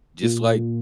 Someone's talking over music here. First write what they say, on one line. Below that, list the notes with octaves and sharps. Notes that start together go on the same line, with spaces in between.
just, like,
A#2